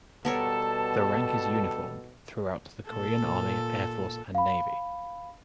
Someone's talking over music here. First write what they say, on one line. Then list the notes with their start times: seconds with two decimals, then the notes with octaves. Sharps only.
The rank is uniform throughout the Korean Army, Air force, and Navy.
0.25 B2 G3 B3 A4 A#4 C#5 A5
2.89 A#2 A4
4.35 F5 B5